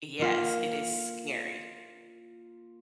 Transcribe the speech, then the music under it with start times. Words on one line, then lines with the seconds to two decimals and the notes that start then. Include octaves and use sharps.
Yes, it is scary.
0.19 A#3 F4